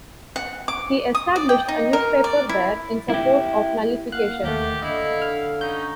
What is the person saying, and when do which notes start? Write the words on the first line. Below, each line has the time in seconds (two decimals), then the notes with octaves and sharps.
He established a newspaper there in support of nullification.
0.36 F#5
0.68 D6
1.15 D#6
1.36 D5
1.49 G5
1.68 D#4
1.93 A#4
2.24 D5
2.49 E4
3.10 E4 G4
4.12 A#3 F5 F#5 F#6
4.44 D#2 A3 G4
4.82 D3 E4 D#5 F5
5.22 F6
5.61 C#4 D#4 G6